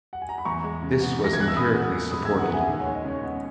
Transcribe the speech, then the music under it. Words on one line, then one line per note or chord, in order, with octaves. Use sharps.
This was empirically supported.
F#5
G#5
A#5
B5
E2 A#5 C#6
G#3
C#3
B3
E2 A#6
G#6
G#3 F#6
E6
C#3 B5 D#6
B3
E2
G#3 B5 D#6
E6 G#6
C#3
F#5 A#5
B3 E5 G#5
D#2
G#3 C#5
D#5
C#3 C#5
B3